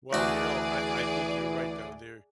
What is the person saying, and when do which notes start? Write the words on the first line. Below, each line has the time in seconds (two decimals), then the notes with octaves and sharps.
Well, you know, I I think you're right though, there
0.13 D2 E3 F#4 G#4 D5